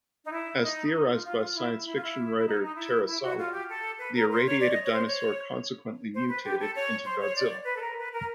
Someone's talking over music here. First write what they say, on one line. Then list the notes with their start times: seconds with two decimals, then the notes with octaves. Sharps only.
As theorized by science fiction writer Terasawa, the irradiated dinosaur consequently mutated into Godzilla.
0.24 D#4
0.31 E4
0.61 D#4
0.93 D#4
1.08 F4
1.24 F4
1.54 E4
1.85 E4
1.94 F4
2.03 E4
2.37 E4
2.46 D#4
2.61 D#4
2.77 E4
3.06 E4
3.23 F#4
3.37 F4
3.52 G4
3.69 A4
3.98 B4
4.14 A#4
4.30 C5
4.45 C#5
4.60 D5
4.71 D#5
4.84 C#5
4.91 C5
5.05 C#5
6.14 C5
6.29 B4
6.43 G4
6.60 A4
6.75 C#5
7.05 C5
7.21 C#5
7.35 D5
7.65 B4
7.75 A4
7.81 A#4
7.97 B4
8.13 A#4